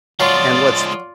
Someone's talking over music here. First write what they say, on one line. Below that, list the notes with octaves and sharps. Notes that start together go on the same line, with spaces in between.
And what's f
F3 F#3 G#3 F4 D5 F5 A6